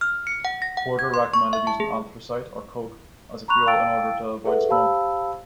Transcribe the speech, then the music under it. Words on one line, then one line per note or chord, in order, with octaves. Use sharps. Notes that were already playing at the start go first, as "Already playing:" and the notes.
Porter recommended using anthracite or coke as a fuel in order to avoid smoke.
F6
C#7
F#5
A#6
F#5
G#6
C6
C#6
E5
A5
G#4
A#5 B5 C#6 F#6 F7
F5 G5 A5 E6 A6 D7
G#4 A4 B4 E5 F#5
G4 C5 F5 A5 B5 E6